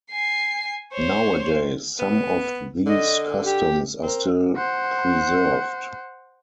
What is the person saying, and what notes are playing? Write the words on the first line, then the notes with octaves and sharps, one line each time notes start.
Nowadays, some of these customs are still preserved.
G#5 C7
C5 C#5
B3
D3 D#5
G4
C4 A#4
C5 F#5